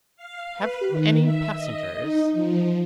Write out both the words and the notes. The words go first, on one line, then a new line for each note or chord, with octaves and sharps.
"Have you any passengers?"
F5
B4
D#3
E5
D#5
D#4
F3